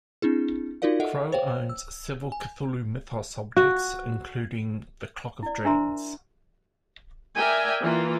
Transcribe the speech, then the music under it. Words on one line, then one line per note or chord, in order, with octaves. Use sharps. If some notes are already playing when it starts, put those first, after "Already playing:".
Crow owns several Cthulhu Mythos objects, including the Clock of Dreams.
C4 D4 E4 G#4
D#4 F4 F#4 A#4 D5 F5
A4 D#5 E5 F#5
C5 C#5 F5 G5
E6
G#5
F#4
E4 D5
D4 A#4 C5 E5 A#5 C6
A#4 D5 E5 G5 G#5
E3 A#3 F4